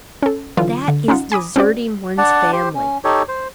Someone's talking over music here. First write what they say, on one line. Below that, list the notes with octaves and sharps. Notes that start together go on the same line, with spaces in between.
That is deserting one's family.
C#4 A4
D3 E3 F#3 F4
D3
C#4 D#4 F4 F#5
G#5 B5 D6 D#6
C4 C#4 F#4 D5
D4 D5 F#5 A5
G4 C5
C#4
D#4 G4 A4 C#5
C5